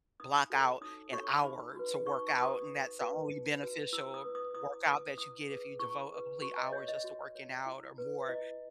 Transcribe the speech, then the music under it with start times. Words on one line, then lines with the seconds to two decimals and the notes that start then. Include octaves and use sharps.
block out an hour to workout, and that's the only beneficial workout that you get if you devote a complete hour just to working out or more,
0.20 D#4 D#6
0.50 F#4 A4 C#5
0.81 D#4 D#6
1.12 F#4 A4 C#5 C#6
1.44 D#4 B5
1.75 F#4 B4
2.06 D#4 C#6
2.28 C#6
2.37 F#4 B4 D#6
2.68 D#4
3.00 F#4 B4
3.31 D#4
3.62 F#4 B4
3.93 E4 E6
4.14 D#6
4.25 B4
4.35 D#6
4.55 E4 D#6
4.86 B4 D#6
5.17 E4 D#6
5.49 G#4 B4
5.79 E4 C#6
6.11 G#4 B4
6.42 F#4 C#6
6.58 D#5
6.73 C#5
6.88 D#5
7.04 F#4
7.35 C#5
7.66 E4
7.98 B4
8.28 E4 D#5